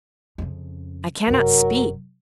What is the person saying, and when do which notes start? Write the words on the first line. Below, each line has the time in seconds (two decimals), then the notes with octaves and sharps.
I cannot speak!
0.38 F2 C#3
1.27 F1 F#2 F#3 A#4